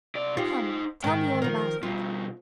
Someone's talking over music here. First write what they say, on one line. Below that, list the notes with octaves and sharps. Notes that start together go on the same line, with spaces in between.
"Come, tell me all about it."
C3 D5
D#4 F4 G4 C5
G#2 D#3 A#4 G5
D#3 F3 A#4
B2 G3 F4